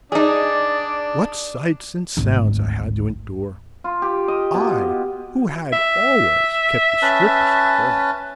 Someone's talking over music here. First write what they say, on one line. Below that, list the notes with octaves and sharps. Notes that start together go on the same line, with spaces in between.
What sights and sounds I had to endure--I who had always kept the strictest decorum!
D4 D#4 G#4 D5
G#1 D2
F4
G4
D#5
B2
E5
C#4 B4 A5